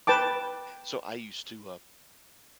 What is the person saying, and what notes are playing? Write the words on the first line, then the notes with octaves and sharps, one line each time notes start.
So I used to, um
B4 G5 A5 D6